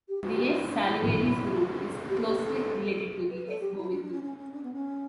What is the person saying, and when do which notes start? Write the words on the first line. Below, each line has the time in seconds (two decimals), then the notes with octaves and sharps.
The S. salivarius group is closely related to the S. bovis group.
0.08 G4
0.24 F#4
0.34 G4
0.45 F#4
0.54 E4
0.71 D4
0.85 E4
2.09 G4
2.18 A4
2.28 G4
2.39 A4
3.30 B4
3.47 A4
3.61 G4
3.77 E4
3.92 D4
4.02 D4
4.12 C#4
4.23 C#4
4.38 C#4
4.53 D4
4.63 B3
4.73 C#4